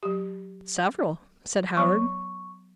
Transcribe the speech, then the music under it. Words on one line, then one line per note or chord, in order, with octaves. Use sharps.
"Several," said Howard.
F#3 G4
F#3 B3 C#5 C#6